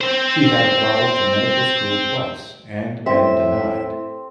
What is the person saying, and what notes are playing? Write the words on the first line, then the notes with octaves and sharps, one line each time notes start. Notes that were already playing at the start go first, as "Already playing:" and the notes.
She had applied to medical school twice and been denied.
C4 C5
A2 C4 A4 E5